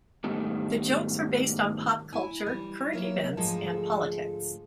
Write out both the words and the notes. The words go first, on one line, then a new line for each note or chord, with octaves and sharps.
The jokes are based on pop culture, current events, and politics.
G#2 B2 D#3 G3 A3
E4 G#5
E3 G3
D#2 F#3 A#3 A#4 C#5 E5
D2 G#2 F3 G#3 G#4 A4